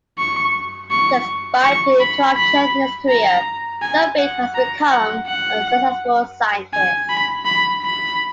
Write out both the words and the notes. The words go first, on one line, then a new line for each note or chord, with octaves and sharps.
Despite the interruption in his career, Ludvik has become a successful scientist.
C#6
C#6
C#6
B5
B5
A#5
G#5
F#5
A#5
F#5
F#5
G#5
B5
B5
B5